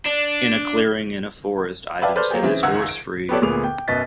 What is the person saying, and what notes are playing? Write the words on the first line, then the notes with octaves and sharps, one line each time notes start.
In a clearing in a forest, Ivan has set his horse free.
D4
B4 D5 E5 F5 G5 A5
A4 B4 C5 D5 F6 G6
F#3 A#3 G4 G#4
C#3 E3 C4
F#1 C#2 D#3 F#5 E6 G#6
D7
B3 F#4 G4 A4 C#5 D5
D2 A#2 B3 G#4 D6 F7
G5
F#2 B2 B4 D#5 A6 B6